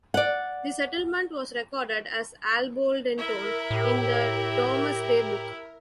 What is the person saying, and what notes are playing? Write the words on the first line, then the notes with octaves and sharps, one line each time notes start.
The settlement was recorded as Alboldintone in the "Domesday Book".
D5 F#5
E4 A#4 E5
A2 G4